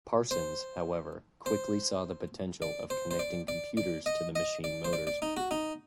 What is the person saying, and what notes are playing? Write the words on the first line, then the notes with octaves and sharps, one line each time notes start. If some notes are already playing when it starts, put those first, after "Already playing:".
Parsons, however, quickly saw the potential of connecting computers to the machine motors.
C5
C5
D5
C5
C5
D5
D5
D5
D#5
D#5
D5
C5
D5
D5
D#4
F#4
D#4